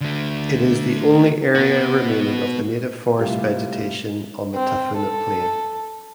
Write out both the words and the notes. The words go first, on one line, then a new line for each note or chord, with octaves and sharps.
It is the only area remaining of native forest vegetation on the Tafuna Plain.
D3 A3
B3 F#4
A2 C3 G3 A3 F4 G4
C4
A4